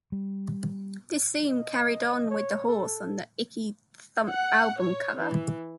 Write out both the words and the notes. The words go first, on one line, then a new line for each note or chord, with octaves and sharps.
This theme carried on with the horse on the Icky Thump album cover.
G3
D#5
C#5
A4
F#5
C#5
E3